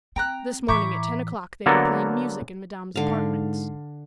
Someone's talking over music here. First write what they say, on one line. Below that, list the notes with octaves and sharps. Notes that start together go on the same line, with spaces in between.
"This morning at ten o'clock they were playing music in Madame's apartments."
C4 G5 A#5 F#6
A2 E3 E4 A#5 C#6 D6 G6 B6
D3 F#3 A#3 B3 A4 A#4
G#2 D3 F5